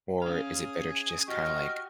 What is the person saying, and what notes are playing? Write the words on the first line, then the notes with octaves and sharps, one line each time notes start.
or is it better to just kinda, like,
C#4 G#4 F5
F#4 G4 D#5 C#6 F6